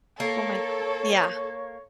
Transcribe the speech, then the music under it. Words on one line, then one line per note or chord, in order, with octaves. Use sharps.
Oh, my g yeah.
A#3 A4 C#5